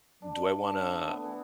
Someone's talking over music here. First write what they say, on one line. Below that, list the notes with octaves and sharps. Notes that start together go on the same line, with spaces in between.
"Do I wanna
D4
A3
B3
E3